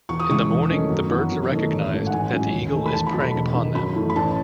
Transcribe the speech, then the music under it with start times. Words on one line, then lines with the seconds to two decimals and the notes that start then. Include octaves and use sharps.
In the morning the birds recognized that the eagle is preying upon them.
0.09 E2 C#6
0.19 D#6
0.29 C#3 E3 G#3 C#6
0.50 E2
0.70 D#3 A3 C#4
0.90 F#2
1.10 E3 B3
1.31 F#2
1.51 D#3 A3 E4
1.71 A1
1.92 G#2 E3 A3
2.07 F#5
2.12 A1 G#5
2.33 G#2 F#3 C#4 E4
2.53 D#2
2.73 D#3 A3 E4
2.86 B5
2.93 E2 A5
3.07 B5
3.14 B2 F#3 A3
3.20 B5
3.34 E1
3.54 E2 D#3
3.75 F#2 B5
3.95 E3 A3 E4
4.10 B5
4.16 A1 A5